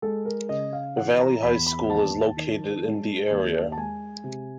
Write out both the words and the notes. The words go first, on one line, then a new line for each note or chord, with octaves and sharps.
Valley High School is located in the area.
G#3 A4
A#4
C#3 D#5
F5
E3 F#5
A#5
E2 B5
B5
D#2 A5
D#3
G#3
D#2
A5
G#3 G#5
C3